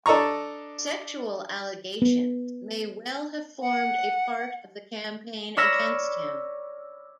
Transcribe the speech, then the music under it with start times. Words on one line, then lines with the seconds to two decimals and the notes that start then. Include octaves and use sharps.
Sexual allegations may well have formed a part of the campaign against him.
0.06 D4 A4 D#5 A#5 C#6
2.02 B3
3.61 F#5
5.57 C#5 D5 B5 E6 F6 A#6